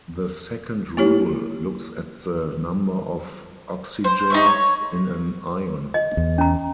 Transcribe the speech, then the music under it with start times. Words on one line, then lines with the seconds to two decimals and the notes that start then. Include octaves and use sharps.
The second rule looks at the number of oxygens in an ion.
0.97 A#3 E4 G4 C#5
4.04 C5
4.30 D#4 E5 C#6
4.46 C#5
5.94 D#5
6.17 E2
6.38 C#4 A#5